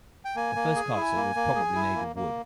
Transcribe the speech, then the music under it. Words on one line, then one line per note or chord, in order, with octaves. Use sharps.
The first castle was probably made of wood.
G5
A#3 G#5
A#3
G#4
E4
A#3
A#3
G#4
E4
A#3
A#3